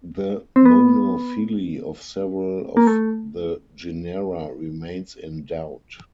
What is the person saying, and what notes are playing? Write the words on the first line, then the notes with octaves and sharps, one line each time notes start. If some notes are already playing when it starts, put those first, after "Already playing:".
The monophyly of several of the genera remains in doubt.
C4
B3
A#3
A3